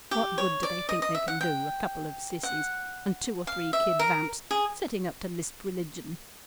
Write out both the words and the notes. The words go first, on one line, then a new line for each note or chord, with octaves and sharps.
What good do they think they can do, a couple of sissies, and two or three kid vamps, setting up to lisp religion?
G4
C#5
D5
D#5
D#5
E5
F#5
G5
F#5
F5
E5
A#4
G#4